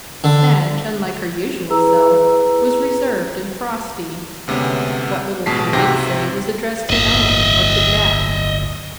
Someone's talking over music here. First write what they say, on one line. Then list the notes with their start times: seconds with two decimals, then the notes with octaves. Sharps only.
Madge, unlike her usual self, was reserved and frosty; what little she did say was addressed to Ella or to Jack.
0.24 D3
1.70 E4 G#4 B4 A#5 E6
4.48 D2 C3 G#3 B3 C#4
5.46 A1 B2 G#3 A5 B6 C7
5.73 C#2 G#2 C3 F#4 G5 A#6
6.90 D1 G1 A#3 D#5 E5